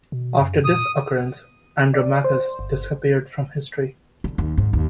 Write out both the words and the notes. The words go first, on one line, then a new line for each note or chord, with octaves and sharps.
After this occurrence, Andromachus disappears from history.
B2
F#2
A#2 D#6
D5
C5
G1
D3
D#2
G#2
D#2